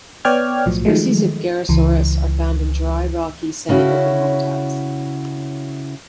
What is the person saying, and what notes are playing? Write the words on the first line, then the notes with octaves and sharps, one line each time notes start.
Species of "Gerrhosaurus" are found in dry, rocky semi-open habitats.
B3 C#5 D5 G5 F6 G#6
B1 A2 F3 F#3
D#3 F3 F#3 G#3 A3
C#2 E3
C#3 C#4 E4 F#4